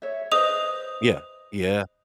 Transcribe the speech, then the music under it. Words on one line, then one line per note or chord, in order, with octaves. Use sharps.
Yeah, yeah.
C#5 E5
B4 C5 D#5 D#6 F7